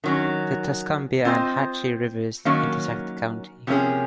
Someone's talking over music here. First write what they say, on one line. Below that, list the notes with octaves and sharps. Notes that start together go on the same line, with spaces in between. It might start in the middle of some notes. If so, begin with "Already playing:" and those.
The Tuscumbia and Hatchie rivers intersect the county.
D#3 F#3 C#4
C4 F4 C5 D#5
D#3 F#3 A#3 C#4
C3 F3 A#3 C#4 G#4